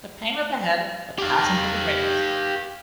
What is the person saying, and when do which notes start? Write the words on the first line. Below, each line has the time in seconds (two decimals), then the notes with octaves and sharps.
The pain in the head would pass into the rings.
1.18 G4 F5